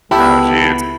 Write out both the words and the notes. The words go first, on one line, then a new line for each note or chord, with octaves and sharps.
Oh, jeez.
C#2 B3 E4 G4 A4